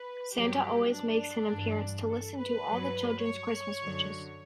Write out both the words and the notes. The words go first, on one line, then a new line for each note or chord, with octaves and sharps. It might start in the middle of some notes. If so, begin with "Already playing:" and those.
Santa always makes an appearance to listen to all the children's Christmas wishes.
Already playing: B4
G2 F#3 G4
D4
G2 E3
A4
B4
G2 F#3
C#5
F#2 D3 F#3